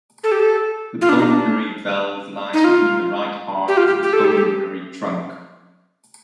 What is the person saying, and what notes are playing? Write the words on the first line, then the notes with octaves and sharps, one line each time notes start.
The pulmonary valve lies between the right heart and the pulmonary trunk.
A4
G4
A4
F4
D4
D#4
D4
D#4
F4
G4
F4
G4
G4
A4
G4
A4
G4